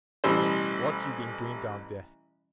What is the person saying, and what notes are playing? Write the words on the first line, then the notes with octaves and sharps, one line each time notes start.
"What you been doing down there?"
A1 B2 E3 G3 C5